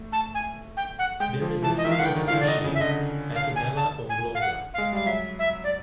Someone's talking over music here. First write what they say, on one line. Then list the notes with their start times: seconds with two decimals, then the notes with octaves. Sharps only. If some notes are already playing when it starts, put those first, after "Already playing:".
There is a single species Echinella oblonga.
Already playing: A3
0.12 A5
0.35 G#5
0.77 G5
0.99 F#5
1.20 G#3 G5
1.42 F3
1.62 E3 A5
1.77 D#5
1.85 D#3 E5
1.92 F5
1.99 D3 F#5
2.05 G5
2.16 D#3
2.27 F5
2.33 D3
2.40 D5
2.48 D3 D#5
2.64 C#3
2.75 E5
2.81 D3 D#5
3.35 F5
3.56 G#5
3.77 A5
4.09 G#5
4.35 F5
4.41 F#5
4.74 G#3 F5
4.93 G3 F5
5.06 F#3 E5
5.39 E5
5.64 D5